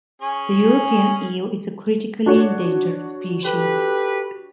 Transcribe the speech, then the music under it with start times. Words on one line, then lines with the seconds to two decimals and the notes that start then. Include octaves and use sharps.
The European eel is a critically endangered species.
0.22 C#4 G#4
2.26 D4 F#4 C#5
3.44 G4 A4 B4